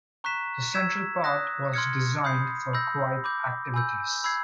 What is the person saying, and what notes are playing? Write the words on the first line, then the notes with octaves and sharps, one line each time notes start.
The central part was designed for quiet activities.
A#5 C#6 F#6 B6 E7
E6 G#6 B6 E7
D#6 F#6 A#6
C6 F6 G#6 C#7
B5 D#6 G6 C7
B5 E6 G6 A#6
B5 D6 G6
G#5 B5 E6 G6
B5 E6 G#6 C7